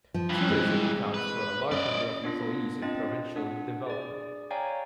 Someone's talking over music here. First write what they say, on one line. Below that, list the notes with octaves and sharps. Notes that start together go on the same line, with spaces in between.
Tourism accounts for a large number of employees and provincial development.
F3
G2 E3
G#3 C4
B4
C#4 D5 D#5
B3 D4 F4 A#6
C4 D4 F4 D#5 A6
D4 F#5
G#4 D5
C#5 D5 F5 G5 G#5 A#5